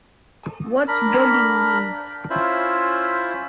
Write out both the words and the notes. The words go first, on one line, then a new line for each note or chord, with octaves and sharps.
What’s bugging you?
D4 A#4 B5
C#4 E4 F4 C5 E5 B5